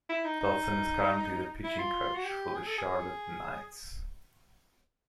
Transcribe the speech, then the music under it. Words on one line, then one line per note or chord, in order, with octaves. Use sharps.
Dotson is currently the pitching coach for the Charlotte Knights.
E4
D#4
D#4
E4
F4
F#4
G4
G#4
A4
G#4